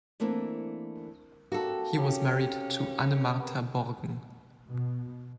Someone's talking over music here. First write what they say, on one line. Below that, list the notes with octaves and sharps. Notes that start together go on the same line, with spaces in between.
He was married to Annemarta Borgen.
E3 A3 A#3 C4 D4
A#3 C4 D4 F#4 A4
C#4 G4 G#4 G5
B3 A#4
B2